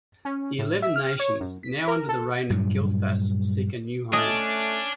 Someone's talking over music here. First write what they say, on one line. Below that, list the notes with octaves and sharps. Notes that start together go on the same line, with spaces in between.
The elven nations, now under the reign of Gilthas, seek a new home.
C#4
A2
E5
F6
C#5
F#2
B6
A#4
A4
G2 A#2 F#3
A3 C#4 D4 D#5